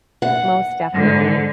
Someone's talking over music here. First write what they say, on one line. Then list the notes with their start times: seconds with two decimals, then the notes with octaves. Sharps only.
Most definitely.
0.22 F#5
0.93 G#2 D3